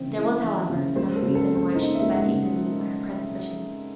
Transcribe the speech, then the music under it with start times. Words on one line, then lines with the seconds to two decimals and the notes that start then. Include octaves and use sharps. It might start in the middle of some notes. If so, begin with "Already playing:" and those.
There was, however, another reason why she sped eagerly on her present mission.
Already playing: C#3 E3 C4
0.16 E4
0.43 E3
0.69 C#3
0.96 G#3 C5
1.16 A4
1.23 C#3
1.35 A4
1.49 C4
1.55 C5
1.75 D#4 D#5
1.95 E5
2.02 G#3
2.15 F#5
2.28 C#3